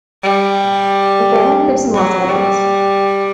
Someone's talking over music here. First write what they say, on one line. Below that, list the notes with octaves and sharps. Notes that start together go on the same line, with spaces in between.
The family lives in Los Angeles.
G3
F#3
G3